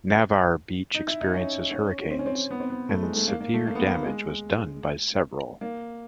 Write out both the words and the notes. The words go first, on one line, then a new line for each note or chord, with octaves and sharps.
Navarre Beach experiences hurricanes, and severe damage was done by several.
D#4
E4
D#4
C#4
C#4
C4
C#4
C4
B3
C4
B3
A3
G#3
A3
A#3
A#3
A3
A#3
B3
A#3
G#3
A#3